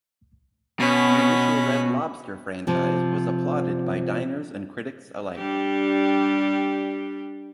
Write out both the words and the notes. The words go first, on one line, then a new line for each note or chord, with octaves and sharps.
The initial Red Lobster franchise was applauded by diners and critics alike.
B2 C#4 B5
C3 F3
G3 D4 G4